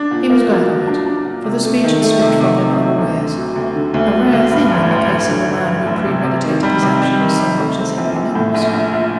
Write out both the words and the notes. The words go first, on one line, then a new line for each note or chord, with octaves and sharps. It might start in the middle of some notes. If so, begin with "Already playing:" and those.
He was glad of it, for the speech had slipped from him unawares--a rare thing in the case of a man who premeditated his actions so much as Henry Lennox.
Already playing: D4
A#2
A#3
F#3
A#2
D4
D4
A#2
C3
A3
D#3
A3
C3
C3
C3
C3
D2
D3
F#3
D2
D3
D2
F#3
D2
G2
A1
A1
A1
D3
D3
G2
A1
C3
C3
D#3
G3
C3
G3
D#3
C3
A3
C4
A#1
A#1
A2
A#1
A#1
A#1